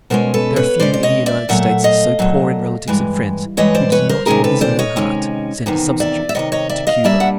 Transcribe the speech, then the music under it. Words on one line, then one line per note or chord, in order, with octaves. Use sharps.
There are few in the United States so poor in relatives and friends who did not in his or her heart send a substitute to Cuba.
B2 G#3 C#4 A#4 C5
A4 B4
B4 C#5
B2 G#3 C#4 C5 D5
D5
C#5 D#5
D5 E5
A#2 F#3 A3 E5 F#5
D#5 F5
A#2 F#3 A3
G2 E3 G#3
G2 E3 G#3 C#5 D#5
C5 D5
B4 C#5
A#4 C5
C3 D#3 G#3 C#4 G#4 A#4
A4 B4
C5 D5
C#5 D#5
C3 D#3 G#3 C#4
E2 C3 D#3
D5 E5
E5
E2 C3 D#3 C#5 D#5
C#5 D#5
D5 E5
D#5 F5
A#2 G3 A#3 D4 D5 E5
F#5